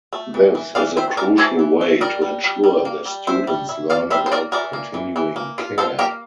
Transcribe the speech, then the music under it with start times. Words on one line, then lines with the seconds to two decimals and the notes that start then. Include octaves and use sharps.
This is a crucial way to ensure the students learn about continuing care.
0.13 A3
0.34 E3
0.55 E3
0.75 E3 D5 F5
0.96 C4 C5 E5
1.17 E3 A#4 D5
1.38 E3 A4 C5
1.59 E3
1.81 A3
2.01 G3 A#4 D5
2.22 G3
2.44 G3
2.64 G3
2.85 A#3
3.05 G3
3.27 E4 C5 E5
3.47 G3
3.69 E4
3.90 A#3 D5 F5
4.10 G3 C5 E5
4.26 C5
4.32 A#3 A#4 D5
4.52 E3 A#4 D5
4.73 A#3
4.94 E3
5.16 E3
5.36 A#3
5.58 F4
5.78 F4 A4 C5
5.99 A#3 G4 A#4